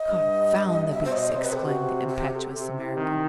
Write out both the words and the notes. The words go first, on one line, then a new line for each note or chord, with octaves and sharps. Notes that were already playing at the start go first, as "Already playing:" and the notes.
"Confound the beasts!" exclaimed the impetuous American.
Already playing: D#5
G2
B2 E5
C5
D#5
C3 C5
B4
G4
F#4
F#4
G4
A4
C3 G4
E4
D#3 C4